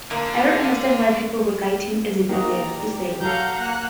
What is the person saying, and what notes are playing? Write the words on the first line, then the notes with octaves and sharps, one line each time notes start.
"I don't understand why people regard him as a villain," he said.
D3 A#3 D4 F5
A#3 D#4 F#4 G4 D5 A#5
F#3 A4 F5 F#5 A#5 G6
A#3 F#6